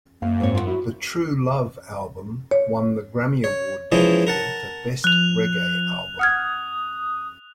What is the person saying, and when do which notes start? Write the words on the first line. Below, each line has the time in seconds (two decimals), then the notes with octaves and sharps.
The True Love album won the Grammy Award that year for best reggae album.
0.22 F#2 A#3 F5
0.40 G#2 C4 C#5
0.55 F4 C5 F#5
0.67 E4 F#4
2.51 C#5
3.44 C#5
3.92 E3 F3 G#3 C#4 E4
4.27 A#4 F#5 A5
5.04 F3 F#6 F7
6.19 F#5 D#6 F6 G#6